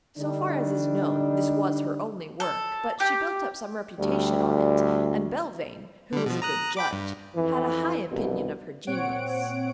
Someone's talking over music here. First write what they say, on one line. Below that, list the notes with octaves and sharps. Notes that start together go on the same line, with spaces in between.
So far as is known, this was her only work, but she built up some reputation on it, and Belvane, who was a good judge, had a high opinion of her genius.
D3 G3 D4 D#4
A4
G4
D2 G3
D3 G3
B2 F3
A#5 D#6 F#6
G5 B5 D6
G2
F2 E3
C2 G2 B2
A#2 C4 C#5 F#5 D7